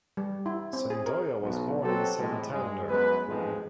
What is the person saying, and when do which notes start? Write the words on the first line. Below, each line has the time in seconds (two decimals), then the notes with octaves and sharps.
Cendoya was born in Santander.
0.17 G3
0.46 E4
0.73 C4
0.90 G#4
1.06 A#4
1.41 B1 B2
1.82 B2 F#3 C4 G4 A4
2.18 A2 C3 E3 G#3
2.53 G2 G#3
2.90 F#2 G#3 B3 B4
3.29 A1 F2 G#2 F3 G#3